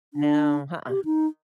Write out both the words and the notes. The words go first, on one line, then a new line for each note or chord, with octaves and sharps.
No, uh-uh.
D4
G4
D#4